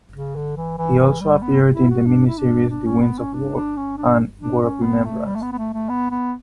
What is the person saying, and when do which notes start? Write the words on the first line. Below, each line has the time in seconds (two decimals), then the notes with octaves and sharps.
He also appeared in the miniseries "The Winds of War" and "War and Remembrance".
0.14 C#3
0.36 D3
0.56 E3
0.78 E3
0.99 E3
1.20 G3
1.42 B3
1.74 E4
1.90 F#4
2.06 D4
2.27 E4
2.38 D4
2.70 D4
2.85 C#4
3.01 B3
3.19 C#4
3.33 D4
3.55 D4
3.77 C#4
3.97 D4
4.41 D4
4.62 C#4
4.83 B3
5.05 A3
5.26 G3
5.35 A3
5.42 B3
5.52 B3
5.58 A3
5.74 A3
5.89 B3
6.11 B3